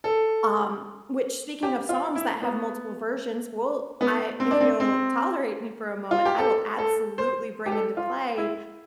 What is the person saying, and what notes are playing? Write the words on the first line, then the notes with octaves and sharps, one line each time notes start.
um, which speaking of songs that have multiple versions, well, I if you'll tolerate me for a moment, I will absolutely bring into play,
A4
G4
F4
E4
B3
B3
C4
D4
C4
C4
F4
G4
A4
A4
C5
G4
A4
F4
E4